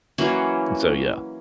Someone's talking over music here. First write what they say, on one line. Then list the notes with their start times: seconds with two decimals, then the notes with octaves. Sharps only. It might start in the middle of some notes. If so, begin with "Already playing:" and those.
so, yeah,
0.18 E3 F#3 A#3 C#4